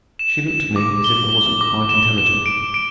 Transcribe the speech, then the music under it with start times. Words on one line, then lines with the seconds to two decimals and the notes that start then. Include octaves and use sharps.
She looked at me as if I wasn't quite intelligent.
0.19 E7
0.48 E7
0.76 D6
1.04 G7
1.33 G7
1.61 D6
1.89 E7
2.18 E7
2.46 D7
2.74 D7